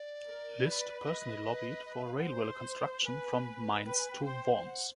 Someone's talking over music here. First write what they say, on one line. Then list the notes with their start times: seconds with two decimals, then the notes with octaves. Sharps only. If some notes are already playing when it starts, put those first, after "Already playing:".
List personally lobbied for a railway construction from Mainz to Worms.
Already playing: D5
0.26 A#4
0.66 B4
1.01 D5
1.05 D#5
1.45 B4
1.86 D#5
1.95 E5
2.05 F5
2.15 F#5
2.25 C5
3.05 B4 G#5
3.85 B4 G5
3.99 G#5
4.11 G5
4.26 C5
4.65 F#5